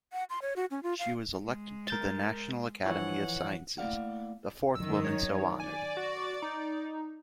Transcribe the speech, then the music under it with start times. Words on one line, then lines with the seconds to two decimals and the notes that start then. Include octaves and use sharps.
She was elected to the National Academy of Sciences, the fourth woman so honored.
0.12 F#5
0.30 C6
0.42 C#5
0.56 F#4
0.71 C#4
0.83 F4
0.99 F5
1.44 G#3
1.88 A#4 G6 A6
2.86 E3 F3 C#5 F#5
3.78 A3 A#3 E4 D5 F5 F#5
4.75 F#2 D#3 E6
5.05 C#5
5.60 D5 G#5
5.97 F#4
6.42 D#4